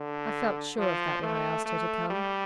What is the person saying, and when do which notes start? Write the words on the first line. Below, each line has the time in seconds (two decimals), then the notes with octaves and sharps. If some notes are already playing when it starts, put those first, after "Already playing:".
I felt sure of that when I asked her to come.
Already playing: D3
0.78 F3
1.23 A3
1.66 A3
2.10 G3